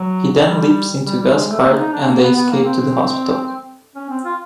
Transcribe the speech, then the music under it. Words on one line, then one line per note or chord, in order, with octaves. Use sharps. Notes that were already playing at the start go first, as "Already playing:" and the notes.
He then leaps into Gus' cart, and they escape to the hospital.
Already playing: F#3
G3
G3
G3
G#3
A3
A#3
D#4
D4
A#3
B3
B3
A#3
C4
C#4
C4
F4